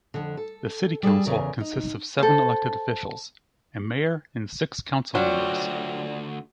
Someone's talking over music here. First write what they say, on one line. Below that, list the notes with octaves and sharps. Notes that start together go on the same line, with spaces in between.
The City Council consists of seven elected officials-a mayor and six council members.
F2 D3
A4
G3 G#4 A4 A5
E2 C#3 A#4
D#4
A4 C5
D2 F#3 G3 F4 C5 D5